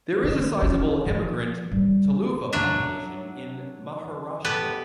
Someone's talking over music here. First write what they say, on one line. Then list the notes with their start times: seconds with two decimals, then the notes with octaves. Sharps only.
There is a sizable emigrant Tuluva population in Maharashtra.
0.24 D#3
0.62 C#4
1.06 F3
1.72 G3
2.53 F#3 D4 E5
4.44 B3 G4 A4 B4